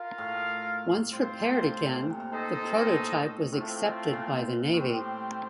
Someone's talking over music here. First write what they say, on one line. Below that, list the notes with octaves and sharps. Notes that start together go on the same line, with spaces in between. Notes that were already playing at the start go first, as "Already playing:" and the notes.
Once repaired again, the prototype was accepted by the Navy.
Already playing: F4 A#4 F5
A2
G3 C4 F4 C5
A2
A#2
C3
A#2
D#4 A4 C5 D#5
C3
A#2
A2
A2 A3 C4 F4 C5
A#2
A2 G3 C4 G4 C5